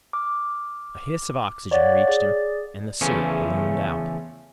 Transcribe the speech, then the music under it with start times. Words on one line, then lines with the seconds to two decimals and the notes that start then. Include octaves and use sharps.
A hiss of oxygen reached him and the suit ballooned out.
0.13 D6 F6
1.71 C#5 D5 F5 F#5 A6
2.08 G#4 D5 A6
3.01 E2 C#3 E3 F3 A3 C#4